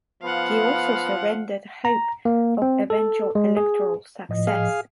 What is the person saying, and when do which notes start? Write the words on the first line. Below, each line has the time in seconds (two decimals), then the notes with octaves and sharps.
He also surrendered hope of eventual electoral success.
0.23 F3 B3 F5 F#5
1.85 A#5
2.25 A#3
2.62 C4
2.90 A4
3.35 G#3
3.57 G#4
4.29 A2 F3 D#5
4.47 G#4 F5